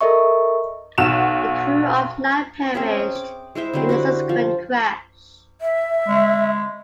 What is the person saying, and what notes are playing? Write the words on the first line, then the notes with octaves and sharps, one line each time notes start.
The crew of nine perished in the subsequent crash.
A4 A#4 D#5 E5 C#6
B1 F#4 E7
C4 C#4 G#4 E5
D6
G#3 E4 C5 E5
D3 F#3 G#3 C4
F#4 G4 C5 F#5
F3
E5
G#3